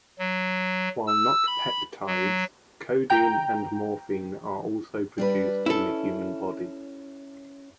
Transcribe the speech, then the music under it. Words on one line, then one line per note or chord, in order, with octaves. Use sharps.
While not peptides, codeine and morphine are also produced in the human body.
F#3
E6
B5
F#3
G5 A#5 G6
G3 D4 B4
C#4 E4 A4